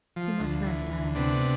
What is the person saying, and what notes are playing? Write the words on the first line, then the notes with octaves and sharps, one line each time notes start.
He must not die.
F3
D2
E3
D2
C3 B3 D4